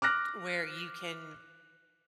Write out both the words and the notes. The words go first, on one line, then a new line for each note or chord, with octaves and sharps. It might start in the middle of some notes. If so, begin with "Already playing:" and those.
where you can
D6 F6 F#6 A#6